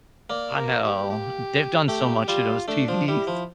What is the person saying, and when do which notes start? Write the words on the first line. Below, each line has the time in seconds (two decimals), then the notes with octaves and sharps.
I know, they've done so much to those TVs.
0.30 A#3 D5
0.56 A#4
0.83 G4
1.10 G4
1.88 A3 G4
2.28 G3 F4
2.68 A3 D4
2.88 F3
3.08 G3 E4
3.27 F3